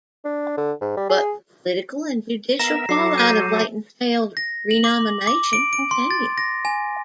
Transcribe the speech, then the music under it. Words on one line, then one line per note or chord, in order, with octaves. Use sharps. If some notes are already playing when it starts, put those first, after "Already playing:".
But the political and judicial fallout of Layton's failed renomination continued.
D4
D3
G#2
G3
G#4
B3 A#4 E5 A#5 A#6 E7
F#3 F#4 A4 D6 C7
G6 D#7
A#6
F#7
D6
D6
D7
D7
C6
A6
A#6
G#5